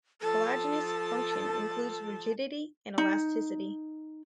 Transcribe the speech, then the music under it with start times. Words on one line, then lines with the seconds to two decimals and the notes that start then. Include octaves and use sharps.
Collagenous function includes rigidity and elasticity.
0.22 F3 A4 A5
2.98 D#4